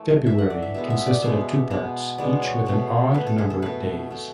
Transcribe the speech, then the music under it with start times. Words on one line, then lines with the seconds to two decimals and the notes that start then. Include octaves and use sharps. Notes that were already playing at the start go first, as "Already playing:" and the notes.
February consisted of two parts, each with an odd number of days.
Already playing: E3 A3
0.26 E3 A3 E5
0.38 F#5
0.50 D5
0.62 E5
0.74 B2 G#3 B3 E5
0.90 E5
1.06 D5
1.22 B2 G#3 B3 E5
1.70 B2 G#3 B3
2.18 B2 G#3 B3 D5
2.42 C#5
2.66 B2 A3
3.14 B2 A3 B4
3.27 A4
3.38 G#4
3.50 A4
3.62 B2 A3 B4
4.10 B2 A3